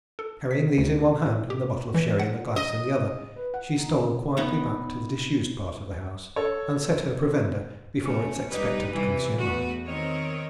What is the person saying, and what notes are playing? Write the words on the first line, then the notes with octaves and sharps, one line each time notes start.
Carrying these in one hand, and the bottle of sherry and a glass in the other, she stole quietly back to the disused part of the house, and set her provender before its expectant consumer.
A4
B6
D2
A2
G4
E3
F#5
D#5
B4
F#5
D#4
C#3
B3 D#4
A4 C#5
A3 C#4
G3 D#4 G4 B4
C3 E3 G3
E2 A3 F#4 B4
D#3 C4 A#4 C#5 D#5